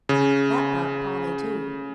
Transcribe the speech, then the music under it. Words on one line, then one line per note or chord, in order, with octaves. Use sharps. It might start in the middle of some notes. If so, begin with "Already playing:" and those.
That brought Polly to.
C#3